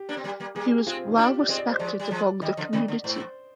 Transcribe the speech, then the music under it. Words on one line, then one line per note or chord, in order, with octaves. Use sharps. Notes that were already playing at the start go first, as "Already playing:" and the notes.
He was well respected among the community.
Already playing: G4
A#3 D4
C4
G3 A#3
G3 A#3
G3 A#3 G#4
G4
G#3 C4 F4
C4
D#4
A#3 D4 F4
G4
D5
G#3 C4 D#5
D5
C5
F3 G#3 D5
G3
F3 G#3
D#3 G3 D#5
D3 F3
C3 D#3 D5
D3
G#2 C5